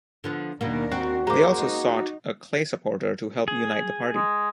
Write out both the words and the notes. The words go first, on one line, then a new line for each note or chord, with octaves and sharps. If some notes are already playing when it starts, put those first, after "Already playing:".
They also sought a Clay supporter to help unite the party.
D3 F3 B3
D#2 B2 D#3 A#3 D4 A#4
C4 F#4
G#3 A#3 C5 A#5 D6
D#4
G#4
G#3